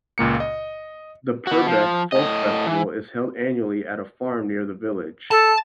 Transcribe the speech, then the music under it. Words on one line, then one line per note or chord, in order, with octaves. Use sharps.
The Purbeck Folk Festival is held annually at a farm near the village.
C#2 A#2 A#3 C#7
D#5
B3 F#4
F3
A2 D#5
E3
A4 A5